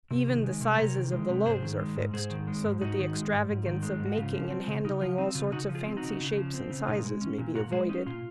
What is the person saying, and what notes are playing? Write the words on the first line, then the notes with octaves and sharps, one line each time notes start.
Even the sizes of the loaves are fixed, so that the extravagance of making and handling all sorts of fancy shapes and sizes may be avoided.
C3
D#3
G#3
C3
C3 A#4 C#5
D#3
G#3
C3
G#2 G#4 C5
D#3
G#3
G#2
G#2 G#4 C5
D#3
G#3
G#2
G#2 D#4 F#4
D#3
G#3
G#2
G#2
D#3
G#3
G#2
F#4
C#3 F4
F3
C4
C#3
C#3 D#4
F3 F4
C4 D#4
C#3 F4
C#3 D#4 F#4
F3
F4 G#4
C4
D#4 F#4
C#3
C#3
F3
C4
C#3
A#2 D#4
G#3
C#4
A#2
A#2 F#4 A#4
G#3 G#4 C5
C#4 D#4
A#2 F4